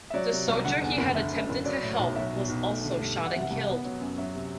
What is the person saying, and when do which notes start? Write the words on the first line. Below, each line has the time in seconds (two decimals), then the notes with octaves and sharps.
The soldier he had attempted to help was also shot and killed.
0.10 E5
0.14 F#3 D5
0.31 C3
0.48 C2
0.65 D3 F#5
0.81 E2
0.98 F#1
1.15 D3 E5
1.32 F#2
1.49 F#1
1.65 F#3 D5
1.83 A2
1.99 B1
2.16 F#3 E5
2.33 B2
2.49 B1
2.67 A3
2.84 D3
3.00 G2
3.17 E3
3.25 F#5
3.33 C3 E5
3.41 F#5
3.50 C2
3.68 B3
3.84 F#3
4.01 F#2
4.18 F#3 E5
4.34 C3